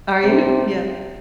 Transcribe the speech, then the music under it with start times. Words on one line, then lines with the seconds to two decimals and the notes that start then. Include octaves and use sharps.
Are you? Yeah.
0.23 C3